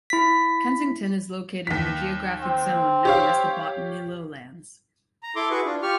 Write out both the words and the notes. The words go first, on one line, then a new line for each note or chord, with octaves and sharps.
Kensington is located in the geographic zone known as the Botany Lowlands.
E4 B6
D#2 B6
C4
G4 C#5 F5
A#5
E4 A4 C6 D6
E4 F#4 G#4 B4 C#6
D4 F4
F4 G4 C#6 F6